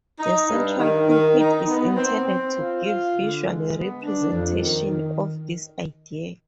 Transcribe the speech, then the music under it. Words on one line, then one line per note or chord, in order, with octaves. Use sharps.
The central pulpit is intended to give visual representation of this idea.
D#4
G2
D#3
D#3
D#4
B3
C4
C4
F4
F4
D3
G#3
B3
D4
F2
D#3
D#3